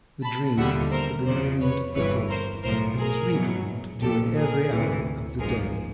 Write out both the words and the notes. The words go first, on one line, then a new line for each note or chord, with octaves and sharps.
The dream had been dreamed before, and was re-dreamed during every hour of the day.
A5 B5
D#2 D3 G3 E5 F#5
A#4 C5
E2 C#3 F3 C5 D5
B4 C#5
G1 G2 E3 B4 C#5
A#4 C5
B1 A2 F3 A#4 C5
G#4 A#4
E2 B2 F#3
A#1 A#2 F3 G4 A4
G#4 A#4
D2 C3 E3
A1 G#2 F3 G#4 A#4